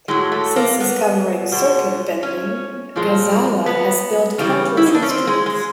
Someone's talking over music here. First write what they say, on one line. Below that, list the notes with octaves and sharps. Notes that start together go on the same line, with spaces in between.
Since discovering circuit bending, Ghazala has built countless instruments.
A2 F#3 G#3
A3
A#3
B3
B2 G#3
C#4
A#2 F3 G#3
B3
C#3 E3 G3
E4
D#4
D4
C#4
C4
G#3
G#3